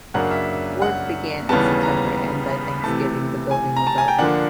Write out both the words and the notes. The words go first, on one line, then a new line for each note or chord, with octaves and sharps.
Work began in September and by Thanksgiving the building was up.
F#2 C#3 F#3 A#3 D4 F#5
E5
F#5
D#2 C#3 E3 G3 B3 A5
A#5
B5
B5
C3 E3 A3 A5
G#5
A#5
A5
G#5
G5
D3 F3 A#3 D4 F#5